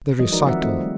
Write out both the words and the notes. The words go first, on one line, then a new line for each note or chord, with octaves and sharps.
The Recital.
E3 F#3 G#3 D#5
F3 D#4 F#4 A#4 D5
D#3 F3 C4 E5 F#5
A3 C4 D#5
G3